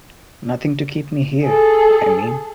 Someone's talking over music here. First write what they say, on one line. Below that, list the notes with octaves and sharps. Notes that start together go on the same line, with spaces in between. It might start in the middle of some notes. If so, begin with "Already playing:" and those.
Nothing to keep me here, I mean.
G#4 A4